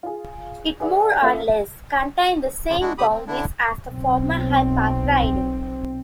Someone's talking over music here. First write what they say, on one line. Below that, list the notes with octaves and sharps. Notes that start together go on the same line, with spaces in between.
It more or less contained the same boundaries as the former High Park riding.
F4 G#4
G#4 B4 D5 E5 F#5
A#3 C#4 F4 A4 E5 F5
C#3 F3 F4
G#3 D4 E4 F#4
D3 G4 B5 D#6
C4
D3 D4 E4
B1 C4